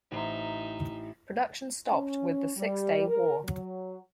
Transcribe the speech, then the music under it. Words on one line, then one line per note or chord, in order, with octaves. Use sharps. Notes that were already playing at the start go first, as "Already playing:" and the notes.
Production stopped with the Six Day War.
A1 D#4 C5 E5 A#5
C#4
G3
A#4
F#3